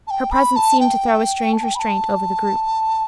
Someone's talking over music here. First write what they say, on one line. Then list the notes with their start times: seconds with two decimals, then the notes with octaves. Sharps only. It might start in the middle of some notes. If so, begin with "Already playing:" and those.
Her presence seemed to throw a strange restraint over the group.
0.07 A5
0.11 G5
0.31 B5
0.56 A5
0.80 G5
1.53 A5
1.64 G5
1.75 B5
1.79 A5